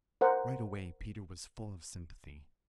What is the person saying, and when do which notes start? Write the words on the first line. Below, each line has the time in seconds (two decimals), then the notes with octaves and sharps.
Right away Peter was full of sympathy.
0.21 A#4 C5 F#5